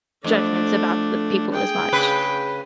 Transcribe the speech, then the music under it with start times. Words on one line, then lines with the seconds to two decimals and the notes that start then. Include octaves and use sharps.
judgments about the people as much.
0.24 F2 A3 D4
1.53 G#4 G5
1.93 C#3 B4